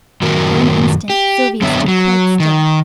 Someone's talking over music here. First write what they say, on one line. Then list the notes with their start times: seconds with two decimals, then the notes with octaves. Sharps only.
For an instant Sylvia stood quite still.
0.22 F#2 A2 D#3 F#4 A#4
1.10 G4
1.62 F#2 D3 B3 C#5 E5
1.88 F#3
2.40 D#3